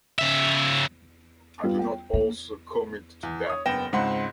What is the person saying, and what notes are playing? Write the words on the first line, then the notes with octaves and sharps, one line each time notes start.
I do not also commit to that.
C#3 E5
G3 B3 F4
G5
A#3
E2
C#5 D#6
F#1 B3 G5 A#6 E7
C#2 G#2 C4 F#5 B5 C6